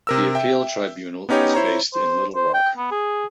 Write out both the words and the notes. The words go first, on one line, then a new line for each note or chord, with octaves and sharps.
The Appeal Tribunal is based in Little Rock.
C3 A#4 E6
E5 G5
B3 C#4 D#4 G4 C#5
E4 C5 C#5 A#5
C5
C5
G5
B3
G#4